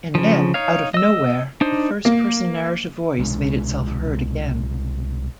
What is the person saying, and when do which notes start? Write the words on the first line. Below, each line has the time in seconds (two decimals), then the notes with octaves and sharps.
And then, out of nowhere, the first-person narrative voice made itself heard again.
0.15 C#3 F3
0.54 D#4 C#5 F5
0.94 D#5 E6
1.61 D4 D#4 C5
2.05 A#3
3.18 C2 B2 G#3 D4